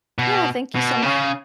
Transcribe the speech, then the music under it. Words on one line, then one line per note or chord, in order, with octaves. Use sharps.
Yeah, thank you so much,
B2
B2
C#3